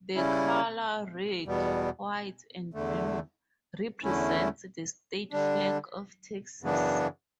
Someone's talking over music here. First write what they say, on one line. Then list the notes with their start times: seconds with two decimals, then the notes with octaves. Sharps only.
The colors-red, white, and blue-represent the state flag of Texas.
0.15 C#3 G3 C#4 E4
1.44 E2 B2 G3 B3
2.74 E2 D3 A3
4.03 E2 D3 A3 C#4 E4
5.32 D3 G3 D4
6.62 F#2 C#3 E3 B3 D4